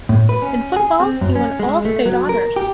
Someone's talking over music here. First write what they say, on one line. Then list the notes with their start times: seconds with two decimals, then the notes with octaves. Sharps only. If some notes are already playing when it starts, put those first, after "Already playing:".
In football, he won All-State honors.
0.09 A2
0.29 B4
0.42 C#4
0.76 G#4
1.00 C4
1.21 F#2
1.35 C#4
1.59 G#3
1.85 A3
2.05 F#3
2.29 A#4
2.56 G4